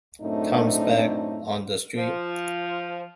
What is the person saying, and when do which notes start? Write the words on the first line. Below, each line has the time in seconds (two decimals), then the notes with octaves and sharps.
Tom's back on the street.
0.22 F#2 A2 A3 C4 D4 D#4
1.97 F3